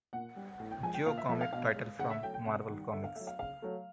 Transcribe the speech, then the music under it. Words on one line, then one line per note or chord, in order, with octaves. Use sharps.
Joe comic title from Marvel Comics.
A#2 F#5
G3
A2
G5
F3 G#3 G#5
G5
A#2 F5
E5
F3 A3 E5
F5
B2 F5
G#3
C#3 F#5
E5
F#3 A3 G5
G5
C3 F#5
D#3 G3
D3 E5
F5
F#3 A3 E5
F5
C#3 F5
F#3 A3